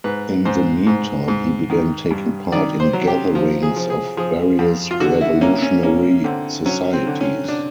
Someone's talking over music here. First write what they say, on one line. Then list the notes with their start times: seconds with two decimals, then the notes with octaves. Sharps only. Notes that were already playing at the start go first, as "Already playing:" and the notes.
In the meantime, he began taking part in gatherings of various revolutionary societies.
0.04 G#2 B4
0.45 G#2 C5
0.87 G#2
1.28 G#2
1.70 D#3
2.11 G2
2.52 D#3 D5
2.80 C5
2.93 F#3
3.07 G4
3.35 F3
3.63 G#4
3.76 F3
3.90 G#4
4.17 F3 G#4
4.59 F2
4.91 F4
5.00 D3 F#4
5.21 E4
5.41 A#3 C#4
5.62 C#4
5.83 A#3 C#4
6.24 D3 C4
6.66 F#3 C#4
6.93 C4
7.07 D3
7.21 C#4
7.48 D4